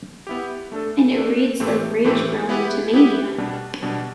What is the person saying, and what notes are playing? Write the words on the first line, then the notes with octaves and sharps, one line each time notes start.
And it reads like rage growing to mania!
B3 E4 G4
A3 D4 A4
A3 D4 A4
A2 E3 A3 C4 G4
A2 E3 A3 C4 G4
B3 E4 G4 B4
B3 E4 G4 B4
B2 G3 D4
B2 G3 D4